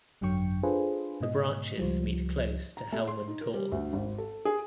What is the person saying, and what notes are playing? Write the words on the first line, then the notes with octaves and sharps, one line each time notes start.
The branches meet close to Helman Tor.
G#1 F#2 D3 F#3 G5 C#6
D4 F4 G#4 A4 B4 C5
G#2 B2 D#5
C#2 F3 G3
A#5
A3
C6
D#4
A#4
G3
D2
G#1
A4
G#4